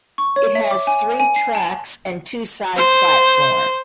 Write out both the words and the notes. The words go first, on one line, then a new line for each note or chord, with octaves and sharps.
It has three tracks and two side platforms.
C#6
C#5
E5
D6
G#5
G#5
C7
A5
C5